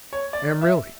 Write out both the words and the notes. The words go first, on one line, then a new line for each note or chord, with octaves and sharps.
Am really.
C#5
D5
E5